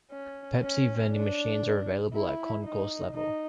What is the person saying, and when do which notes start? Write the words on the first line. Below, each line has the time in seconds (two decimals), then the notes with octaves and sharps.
Pepsi vending machines are available at concourse level.
0.11 C#4
0.62 C#4
1.12 D4
2.13 E4
2.63 D#4
3.15 D#4